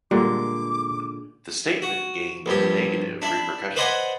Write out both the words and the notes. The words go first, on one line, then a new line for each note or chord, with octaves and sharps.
The statement gained negative repercussion.
A#2 D3 G3 G#3 D6
F#4
A#1 G2 G4
D4 E4
B4 C5 D5 D#5 F#5 G#5